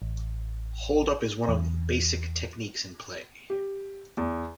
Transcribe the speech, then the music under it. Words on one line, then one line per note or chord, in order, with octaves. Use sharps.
Hold up is one of basic techniques in play.
A1
E2
G4
E2